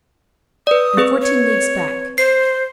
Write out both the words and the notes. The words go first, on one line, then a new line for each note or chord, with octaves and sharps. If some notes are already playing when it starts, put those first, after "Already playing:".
"And fourteen leagues back?"
B4 D5 D#6
C4 G#4 B4
C#5
C5 C7